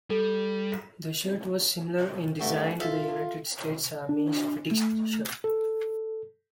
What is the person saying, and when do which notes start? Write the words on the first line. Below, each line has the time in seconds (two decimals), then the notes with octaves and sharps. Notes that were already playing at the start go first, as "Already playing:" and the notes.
The shirt was similar in design to the United States Army fatigue shirt.
0.10 G3 A4
2.39 G2 A3 F#4 G5
2.80 F4 A4 E5 F5
4.09 D4
4.71 A3
5.44 A4